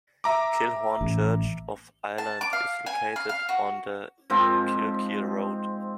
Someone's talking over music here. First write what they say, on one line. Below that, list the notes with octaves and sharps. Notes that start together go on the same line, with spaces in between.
Kilhorne Church of Ireland is located on the Kilkeel road.
E5 A#5 D6
A1
A5
D6
F5
G#5
F5
F5
F#4
G#2 F3 C4